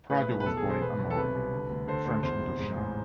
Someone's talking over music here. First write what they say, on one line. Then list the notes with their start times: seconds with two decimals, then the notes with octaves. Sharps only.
Pradier was born in Hanoi, French Indochina.
0.10 A2 B4
0.28 B1
0.40 B4
0.46 E2 A4
0.57 G#4
0.63 E1
0.70 C5
0.81 B2 B4
0.98 B1
1.10 A4
1.17 C3 B4
1.34 C2
1.53 D3
1.70 D2
1.87 D3 C5
2.06 D2 C5
2.23 E2 C5
2.41 F1
2.59 G#2
2.76 A1